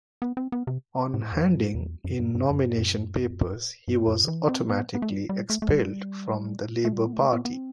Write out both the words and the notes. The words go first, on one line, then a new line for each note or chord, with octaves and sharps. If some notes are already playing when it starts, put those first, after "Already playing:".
On handing in nomination papers he was automatically expelled from the Labour Party.
B3
C4
B3
C3
A2
E2
F#2
E2
F#2
G2
G2
F#2
G2
F#2
G2
F#2
D3
E3
C4
B3
B3
A3
G3
G3
A3
A3
G3
A3
G3
B3
A3
B3
B3
C4